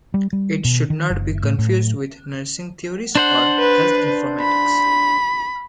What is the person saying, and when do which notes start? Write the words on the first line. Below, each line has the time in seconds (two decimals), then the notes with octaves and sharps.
It should not be confused with nursing theories or health informatics.
0.14 G3
0.33 G3
0.65 B2
0.90 D#3
1.10 F#1
1.43 A2
1.59 A2
3.15 D4 C5 F#5
3.59 B4
4.41 B5